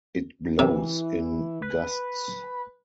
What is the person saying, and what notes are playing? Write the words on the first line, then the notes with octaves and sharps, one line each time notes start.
It blows in gusts.
C3 E3
B4